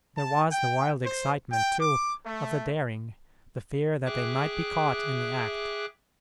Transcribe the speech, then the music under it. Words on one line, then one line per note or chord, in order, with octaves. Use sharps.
There was the wild excitement, too, of the daring; the fear that they might be caught in the act.
A5
G5
C5
G5
D6
A3
G#4 E5 G5 D6 F#6